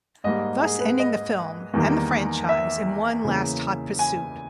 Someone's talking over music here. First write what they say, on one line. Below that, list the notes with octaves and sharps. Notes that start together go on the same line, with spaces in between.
Thus ending the film, and the franchise, in one last hot pursuit.
G#2 G3 A#3 D#5
G#4
B4
D#5
E2 D#3 G3 A#3
E5
E2 C#3 E3 A#3
G#5